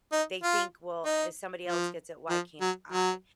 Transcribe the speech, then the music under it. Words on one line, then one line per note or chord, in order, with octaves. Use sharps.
they think, well, "If somebody else gets it, why can't I?"
D#4
F4
D#4
F3
F3
F#3
F#3